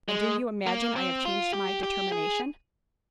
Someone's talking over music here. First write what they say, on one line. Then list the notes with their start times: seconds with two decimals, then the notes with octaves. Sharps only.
And do you imagine I have changed my determination?
0.08 G#3
0.67 A#3
0.96 C4
1.25 F4
1.53 G4
1.83 G4
2.12 G#4